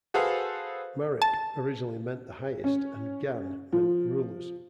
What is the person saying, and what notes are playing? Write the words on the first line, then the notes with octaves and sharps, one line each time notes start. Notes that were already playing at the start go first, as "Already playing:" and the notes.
"Marip" originally meant the highest, and "gan" meant rulers.
F#4 G#4 A4 B4 C5 F5
A5
C#4
F3